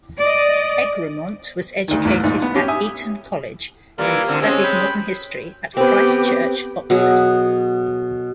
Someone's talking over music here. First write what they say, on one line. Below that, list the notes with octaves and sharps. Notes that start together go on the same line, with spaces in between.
Egremont was educated at Eton College and studied modern history at Christ Church, Oxford.
D5 D#5
D2 D#3
A1 E2
A#1 G#2
B3
C#4 G4
E5 G#5 D#6
E3 G3 A#3 F4 A#4
D3 C4
G#3 C4 C#4 G#4 E6
G5 B5
B3 C4 G4 B4
B2 F#3 G#4